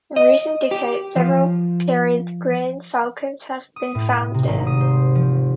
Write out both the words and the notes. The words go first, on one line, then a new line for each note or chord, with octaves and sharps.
In recent decades, several peregrine falcons have been found there.
D#5
G4
F3
D#6
A2
C3
G#1
D#6
C5
F3